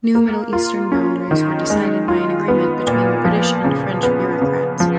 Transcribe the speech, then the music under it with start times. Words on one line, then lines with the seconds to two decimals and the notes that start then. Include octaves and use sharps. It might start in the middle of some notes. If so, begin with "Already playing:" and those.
New Middle Eastern boundaries were decided by an agreement between British and French bureaucrats.
0.15 A#3
0.53 F4
0.92 C#4
1.31 D#3
1.70 G#3
2.08 F4
2.48 B3
2.87 A#2
3.25 F3
3.64 C#3
4.03 B3
4.42 C#3
4.80 F3